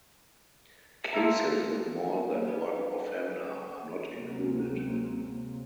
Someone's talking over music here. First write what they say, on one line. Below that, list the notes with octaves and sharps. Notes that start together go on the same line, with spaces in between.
Cases with more than one offender are not included.
F4 A4 E5 A#5
D#4 B4 D5 D#5 F5
D2 C3 F#3 G#3 A#3 C4